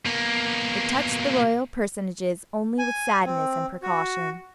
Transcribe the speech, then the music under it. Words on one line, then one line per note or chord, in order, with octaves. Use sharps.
It touched the royal personages only with sadness and precaution.
B2 A#3
G#5
C4
F#4